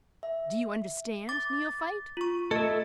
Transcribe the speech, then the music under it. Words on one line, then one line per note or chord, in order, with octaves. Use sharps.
Do you understand, Neophyte?
E5
D6 A6
F4 C#6
A3 A4 D#5 E5 A5 G#6